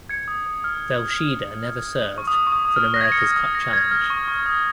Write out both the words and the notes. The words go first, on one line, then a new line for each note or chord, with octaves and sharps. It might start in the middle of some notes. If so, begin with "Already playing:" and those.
"Velsheda" never served for an America's Cup challenge.
G#6 C#7
D#6
D#6
F6
C#6
D#6
C#6
D#6
D#6
F6
A#6
G#6
C#7
A#6
D#6
A#6
G#6
F6
C#6
C#6
C#6
D#6